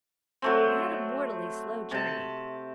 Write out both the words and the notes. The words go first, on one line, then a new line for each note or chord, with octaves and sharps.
We had a mortally slow journey.
F#3 A3 C4
C3 A5